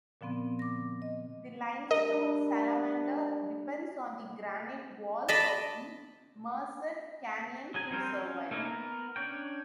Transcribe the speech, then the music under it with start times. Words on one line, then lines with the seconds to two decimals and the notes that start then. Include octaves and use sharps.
The limestone salamander depends on the granite walls of the Merced Canyon to survive.
0.21 A#2 D3 F3 B3 C4
0.59 D6 A#6
1.02 D#5
1.91 G3 A3 D4 A#4 D#5
5.28 D5 D#5 A5 B5
7.74 F#3 G#4 G#5
7.91 F3 G3 C4 A#4 C5
8.14 C#4
8.51 A3 A#3 C#4 D#4 E4
8.65 B3 A#4
9.16 C#4 D4 C#5 G5